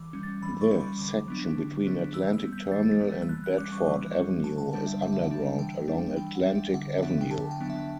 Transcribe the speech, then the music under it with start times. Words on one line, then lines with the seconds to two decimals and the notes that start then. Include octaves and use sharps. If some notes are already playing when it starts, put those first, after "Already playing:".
The section between Atlantic Terminal and Bedford Avenue is underground along Atlantic Avenue.
Already playing: E3 D6
0.13 G3 C#4
0.23 A6
0.43 E3 B5
0.61 C#6
0.70 G3 C#4 B5
0.80 C#6
0.99 D3 D6
1.28 F#3 B3 D4
1.57 D3
1.86 F#3 B3 D4
2.14 E3 E6
2.33 E6
2.43 G3 B3
2.53 G6
2.72 E3 A6
3.01 G3 B3
3.22 E6
3.29 E3 F#6
3.44 F#6
3.58 G3 C#4 D6
3.72 C#6
3.80 D6
3.86 E3 C#6
4.15 G3 C#4
4.44 D3 A5
4.58 A5
4.73 G3 D4 F#5
4.87 E5
5.02 D3 F#5
5.13 E5
5.24 F#5
5.30 G3 D4
5.58 E3 G5
5.88 G3 D4
6.16 E3 G5
6.35 F#5
6.45 G3 D4
6.55 E5
6.74 D3 F#5
6.98 E5
7.03 F#3 B3 D4 F#5
7.21 G5
7.31 D3 A5
7.51 G5
7.61 F#3 B3 D4
7.70 E5